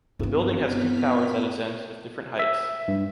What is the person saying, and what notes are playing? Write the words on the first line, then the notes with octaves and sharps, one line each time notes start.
The building has two towers at its ends with different heights.
E1 G2 C4
B3 F6 B6
E5
G2